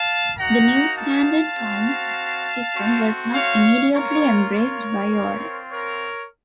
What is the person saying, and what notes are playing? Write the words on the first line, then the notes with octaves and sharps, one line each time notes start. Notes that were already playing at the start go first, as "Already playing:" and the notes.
The new standard time system was not immediately embraced by all.
Already playing: F5 A5
A#3 D#4 F#4 F#5 A#5
F5 A5
C4 F#4
A3 C4 F#4
C#5 F5
A#3 F4 A#4 C#5
A#4 C#5
C4 F4
A#4 C#5